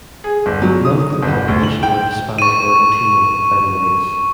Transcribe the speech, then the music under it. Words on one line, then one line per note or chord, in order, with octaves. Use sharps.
None of the population were Hispanic or Latino of any race.
G#4
G1
F#3
D#6
G1
D2
F#7
G5
C#6 D#7